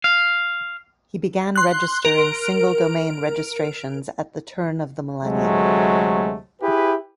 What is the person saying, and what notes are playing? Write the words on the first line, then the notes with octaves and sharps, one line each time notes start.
He began registering single domain registrations at the turn of the millennium.
F5
C6 F#6
A#4 D7
D2 C3 F#3 G#3 A3
E4 G4 G#4 B4